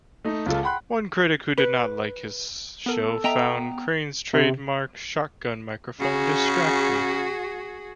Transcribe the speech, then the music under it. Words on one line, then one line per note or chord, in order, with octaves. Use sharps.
One critic who did not like his show found Crane's trademark shotgun microphone distracting.
A3 D#4
C#2 F4 A4
F#5 G5 B5 C6 F#6
B4
B3 A4 A#4
B3 D#5 E5 G5 A#5
C3
C#3 F#4 G#4